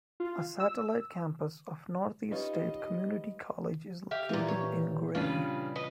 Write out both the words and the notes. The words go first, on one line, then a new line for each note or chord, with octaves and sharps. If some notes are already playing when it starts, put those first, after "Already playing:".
A Satellite campus of Northeast State Community College is located in Gray.
F4
E6
C#4 D#4 F4 G4 B4 D#5
G4 E5 F5
A#2 E3
C#5
C#3 G3 D4 F4 B4
B4 D#5